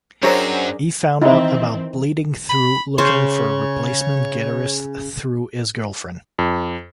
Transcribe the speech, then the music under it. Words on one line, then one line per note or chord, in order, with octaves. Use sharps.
He found out about Bleeding Through looking for a replacement guitarist through his girlfriend.
F#2 F#3 C4 D4 G#4 A#4 C#5
D#3 E3 C4 D#4 E4
B5
C#3 C#4 C5 C#5
F2